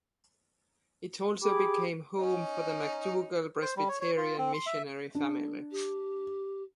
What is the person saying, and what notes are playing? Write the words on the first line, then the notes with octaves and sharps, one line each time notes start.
It also became home for the McDougall Presbyterian missionary family.
G4 G#4 B5 D6
C#4 D#4
C5
G3
C#5
C#5
F4
C4
C6
E5
D4
G4